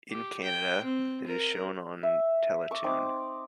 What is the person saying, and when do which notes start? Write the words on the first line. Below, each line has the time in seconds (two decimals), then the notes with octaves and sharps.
In Canada, it is shown on Teletoon.
0.11 G4
0.43 G5
0.84 C4
1.27 A#4
2.03 E5
2.71 C#6 D6 E6
2.84 C4 D#4 D6